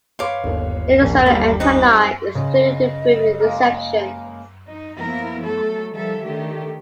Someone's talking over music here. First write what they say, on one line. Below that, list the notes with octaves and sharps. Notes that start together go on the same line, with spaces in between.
An external antenna is included to improve reception.
B4 C#5 F5 C6 D6
G1 D#2
A#1
G3 A#3 E5 F5 B5 A6
C4 D#4 B4 D#6
C#3 D#5
G#3 A#3 A#4
D#4
F3 A#3 B3 E4 A#4
F#3 A3 A4
D#3 F3 G3 A4 E5
D3 D#3 A3 G4